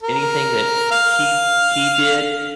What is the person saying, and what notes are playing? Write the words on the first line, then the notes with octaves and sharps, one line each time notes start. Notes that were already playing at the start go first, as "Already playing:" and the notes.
Anything that he he did,
A#4
F5